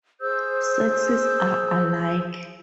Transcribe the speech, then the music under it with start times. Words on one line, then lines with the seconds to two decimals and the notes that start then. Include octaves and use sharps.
Sexes are alike.
0.21 G#4 C5 E6 G6